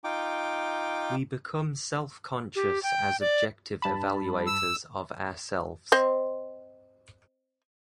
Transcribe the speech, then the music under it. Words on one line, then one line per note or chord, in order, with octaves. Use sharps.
We become self-conscious as objective evaluators of ourselves.
D#4 F4 G5 D6
G4
G5
D5
G2 A5 B5
E6
C4 C5 D#5